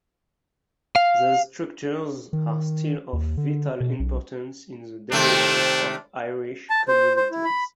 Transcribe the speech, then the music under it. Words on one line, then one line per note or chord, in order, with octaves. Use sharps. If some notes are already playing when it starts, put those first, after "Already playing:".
These structures are still of vital importance in the daily life of Irish communities.
F5
D#3
D#2
D3
B2
B1
C3 D#3 A3 D4
A5
C5
C5
E4
B5